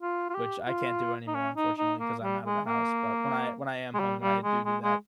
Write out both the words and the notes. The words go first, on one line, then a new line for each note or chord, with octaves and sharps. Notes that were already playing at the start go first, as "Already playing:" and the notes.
which I can't do anymore unfortunately, 'cause I'm out of the house, but when I when I am home and when I do do that,
F4
F4
G4
F4
D#4
C#4
D#4
D#4
A#3
G3
G#3
A#3
G#3
G3
G3
G#3
G#3
G#3